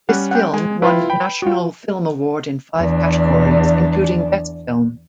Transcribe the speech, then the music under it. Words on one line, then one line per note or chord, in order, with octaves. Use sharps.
This film won National Film Award in five categories including Best Film.
G3 C#4 F#5
F#5 G5
G#3 G#5
E4 F4 B4 G5
G5 B5
F4 F#4
E2 D4